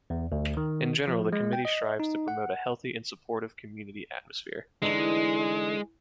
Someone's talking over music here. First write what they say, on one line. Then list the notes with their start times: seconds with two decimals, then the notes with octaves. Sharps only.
In general, the committee strives to promote a healthy and supportive community atmosphere.
0.10 E2
0.32 D2
0.57 D#3
1.08 F3
1.33 G#3
1.53 G5
1.65 D#5
2.00 D#4
2.28 F#5
4.82 D3 E3 G#3 D#4